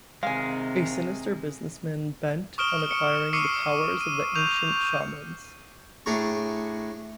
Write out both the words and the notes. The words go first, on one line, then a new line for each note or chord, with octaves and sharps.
A sinister businessman bent on acquiring the power of the ancient shamans.
C3 D#3 G#3 F5 G#5
C#6 D#6 F6 D7 E7 G7
C#7
C#6 D6 E6 C7 C#7 D#7
D#7
C#6 G6 F7
A2 D4 G#4 A#5 C#6